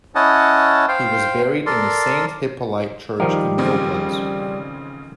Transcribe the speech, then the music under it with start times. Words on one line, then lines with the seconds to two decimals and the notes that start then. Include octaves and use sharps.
He was buried in the Saint Hippolyte church in Gobelins.
0.15 C#4 E4 C#5 D#5 F#5 A5
0.88 C5 F5 G5
1.66 A4 A#4 D5 C6
3.20 D#3 F3 G3 A#4
3.58 A1 C#3 C4